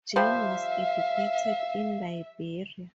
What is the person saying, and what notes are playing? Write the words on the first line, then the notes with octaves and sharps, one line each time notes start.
Jane was educated in Liberia.
F3 G3 C5 E5 F5